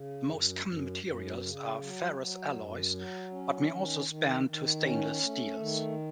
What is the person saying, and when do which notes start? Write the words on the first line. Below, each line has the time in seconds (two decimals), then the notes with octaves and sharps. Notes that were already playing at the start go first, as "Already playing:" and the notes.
The most common materials are ferrous alloys but may also span to stainless steels.
Already playing: C#3
0.27 F#2
0.65 F#2
1.03 F#2
1.42 C#3
1.79 F#3
2.18 F#3
2.55 F#2
2.93 F#3
3.31 C#4
3.69 D#3
4.07 D#3
4.46 D#3
4.83 C#4
5.22 A3
5.59 D#3